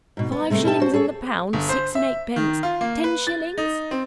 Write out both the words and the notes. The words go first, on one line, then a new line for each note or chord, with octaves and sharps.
Five shillings in the pound, six and-eightpence, ten shillings?
G#2 B2
B3
C3 G#3 A3 C4
B2 E4 G4 A5
F#4 C5
G#4 A4 C#5
G1
C5
E5
D#3
F4
A#3
B4
A6
D#4
C4